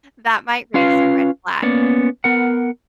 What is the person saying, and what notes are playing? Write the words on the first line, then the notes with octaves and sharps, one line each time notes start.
that might raise some red flags.
C#4 F4 B4 F5
A#3 B3 C#4 D5
B3 A#4 F#5